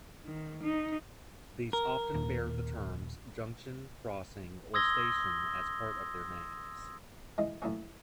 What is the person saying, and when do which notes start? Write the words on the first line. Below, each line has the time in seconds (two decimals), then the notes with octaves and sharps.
These often bear the terms "Junction", "Crossing" or "Station" as part of their names.
0.23 D#3
0.63 D#4
1.73 A#4
2.14 D#2 A#2
4.74 C6 D#6 E6 G#6 A#6 G7
7.38 E3 G#3 D#5
7.62 A2 E3 F#3 A#3 C#4